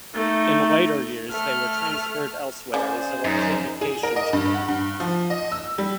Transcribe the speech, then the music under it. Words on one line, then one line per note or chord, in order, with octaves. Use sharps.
In later years they were transferred elsewhere as electrification took over.
A3 D#4
A3 F6
C#3 G#4 C5 D5
F#2 D#4
G#4
A#4
D#5
G2
F#5
G2
F3
D#5
E6
G3